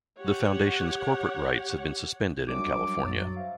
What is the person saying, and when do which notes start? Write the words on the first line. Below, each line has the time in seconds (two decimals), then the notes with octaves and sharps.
The foundation's corporate rights have been suspended in California.
0.19 G4 C#5 F#5
2.49 F#2 F#3 G3 D4 D6
3.04 F#2 F#3 A6
3.36 C5 E5 F5